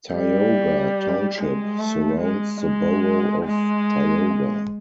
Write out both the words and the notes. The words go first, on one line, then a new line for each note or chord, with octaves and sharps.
Tioga Township surrounds the borough of Tioga.
G3
G#3
A3
G#3
G#3
G#3